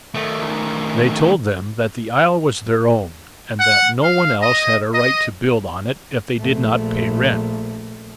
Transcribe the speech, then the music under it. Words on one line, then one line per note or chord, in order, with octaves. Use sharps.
They told them that the isle was their own, and that no one else had a right to build on it, if they did not pay rent.
D#3 A3
F#5
F5
D#5
D#5
A#1 A3